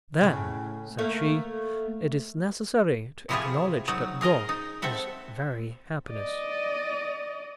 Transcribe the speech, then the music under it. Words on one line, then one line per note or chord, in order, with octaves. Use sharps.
'Then,' said she, 'it is necessary to acknowledge that God is very happiness.'
A2 C#3
A3 A#3
C3 F3 E4 F4 G4 G#4
F#3 D#4
G#4 A#4 D#5 A#5
D#4
C4 A4 E5 F#5
D5 D#5